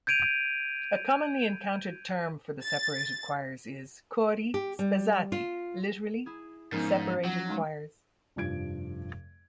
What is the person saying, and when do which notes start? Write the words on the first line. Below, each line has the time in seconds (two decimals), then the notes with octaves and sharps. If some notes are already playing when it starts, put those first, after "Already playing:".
A commonly encountered term for the separated choirs is "cori spezzati"-literally, separated choirs.
0.07 G6 G#6 D7 D#7 F7
2.63 A6
4.54 G4
4.79 G3
5.32 F4
6.26 E4 G#4
6.72 G#2 F3 G#3 B3 C#4 D#4 A#4
7.24 F#3 F#5
7.48 F3 G#3 D#4
8.36 F1 G2 F3 G#6 D7